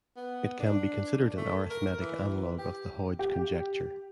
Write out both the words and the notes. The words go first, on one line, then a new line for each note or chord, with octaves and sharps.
It can be considered an arithmetic analog of the Hodge conjecture.
B3
D4
A3
A#4
E3
G4
G4